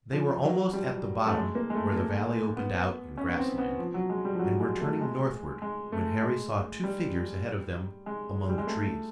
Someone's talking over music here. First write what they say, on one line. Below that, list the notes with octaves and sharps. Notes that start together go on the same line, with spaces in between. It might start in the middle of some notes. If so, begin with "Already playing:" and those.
They were almost at the bottom where the valley opened out in grass land, and were turning northward when Harry saw two figures ahead of them among the trees.
F3
F#3
G3
A3
G#3
A#3
G#3
A3
A#3
B3
C#4
B3
C4
B3
F3
F#3
G#3
G3
F3
F#3
G#3
A3
G#3
G#3
A3
G#3
G3
G#3
G3
G#3
A3